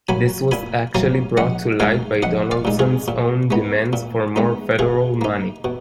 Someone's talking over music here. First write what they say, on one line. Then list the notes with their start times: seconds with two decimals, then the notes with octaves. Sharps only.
This was actually brought to light by Donaldson's own demands for more Federal money.
0.09 F#3 A#3 G#5 B5
0.51 A#2 G#5 B5
0.95 F#3 A#3 F5 G#5
1.37 A#1 D#5 F#5
1.80 A#2 G#3 D#4 F5 G#5
2.22 A#1 D#5 F#5
2.51 D5 F5
2.65 A#2 G#3 D#4
2.79 F4 G#4
3.08 A#2
3.51 G#3 B3 D#4
3.93 A#2
4.36 G#3 B3 D#4
4.79 B2 F4 G#4
5.21 A#3 D#4
5.64 B2